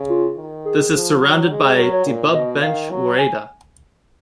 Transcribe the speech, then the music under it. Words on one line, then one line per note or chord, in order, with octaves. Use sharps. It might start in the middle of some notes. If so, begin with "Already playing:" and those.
This is surrounded by Debub Bench woreda.
Already playing: C#3
F4
D#3
G#4
F3
F#3
G#3
F#3 A#4
C#5
A#2
B2 D#5
D#3 F5
F#3
G#5